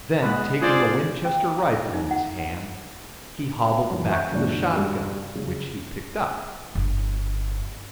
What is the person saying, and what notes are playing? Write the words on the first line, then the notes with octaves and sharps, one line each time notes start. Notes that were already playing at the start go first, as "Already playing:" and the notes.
Then taking a Winchester rifle in his hand, he hobbled back to the shot gun, which he picked up.
G#3 B3 B4
F4 G#4 C5 D5
G5
A#5
E4
D#4
F#5
F#2 E3
B4 E5 F#5 C#6 F#6 G6
F#2 A#2 D3 D#3
G2 F#4
C#3 F#3 C#4
G1